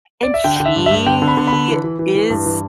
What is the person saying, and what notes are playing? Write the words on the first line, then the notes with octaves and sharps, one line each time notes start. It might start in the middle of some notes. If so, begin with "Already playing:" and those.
and she is
D5
E5
D3 G5
G5
D3
E5
G2
E5
G2
D3 G5
D3
B5
D3
B5
D3
E3
E3
E3
E3
G2
E3